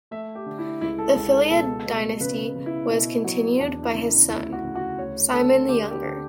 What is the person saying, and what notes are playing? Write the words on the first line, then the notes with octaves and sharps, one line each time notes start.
The Philaid dynasty was continued by his son, Cimon the Younger.
A3 E5
G4
D3
E4
C#2 E4
A4
C#2 A4
A4
B2 A4
B2
C#3 B4
C#3
E4
B2 E4
F#3
E2 D4
E4
C#3
D2 E4
F#4
C#3
F#4
D2 C#5
D3 A4
D3 G4
G4
D3